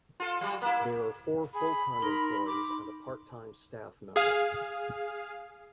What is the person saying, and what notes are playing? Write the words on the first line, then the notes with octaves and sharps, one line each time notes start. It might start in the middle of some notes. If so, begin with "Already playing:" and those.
There are four full-time employees and a part-time staff member.
F4 A4
F#3 G3
A#3 E4
G#4 B5
D#4 A#4 C6
D6
G#4 F5